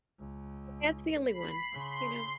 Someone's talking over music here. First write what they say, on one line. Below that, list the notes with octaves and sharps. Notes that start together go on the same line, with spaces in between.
That's the only one, you know?
C#2
B5 C7
C#3 C6